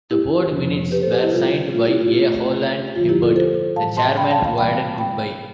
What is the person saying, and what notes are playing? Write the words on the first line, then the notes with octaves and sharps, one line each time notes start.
The board minutes were signed by A Holland-Hibbert, the chairman, who added "Goodbye!".
E4 G4
F2 C3 F3 B3
G4 B4
A4 C5
G4 B4
E4 G4
C3 G3 B3 F4
F4
E4 G4
F4
G4
B2 A3 C4 F4
F2 D3 F3 F4
E4 G4
F4 A4
A4 C5
A2 E3 G3 F5 A5
A5 C6
G5 B5
F5 A5
F5 A5
C3 E3 G3 C4 G5 B5
G5 B5